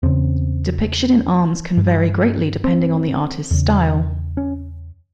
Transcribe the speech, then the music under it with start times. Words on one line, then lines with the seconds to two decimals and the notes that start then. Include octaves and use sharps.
Depiction in arms can vary greatly depending on the artist's style.
0.03 E2 C#3 C4
1.77 G2
2.64 C4
3.51 E2 C#3
4.37 C#4